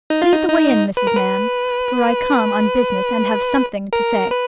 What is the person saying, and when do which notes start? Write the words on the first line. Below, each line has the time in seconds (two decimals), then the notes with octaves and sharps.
Lead the way in, Mrs. Mann, for I come on business, and have something to say.'
0.10 D#4
0.22 F4
0.33 D#4
0.49 D#4
0.97 B4
1.07 A#4
1.16 B4
3.93 A#4
4.31 B4